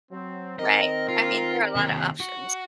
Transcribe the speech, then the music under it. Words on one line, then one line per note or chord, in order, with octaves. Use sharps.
Right. I mean, there are a lotta options.
F#3 C4
D#3 C4 A#4 D#5
F4
D#2 C3
F#4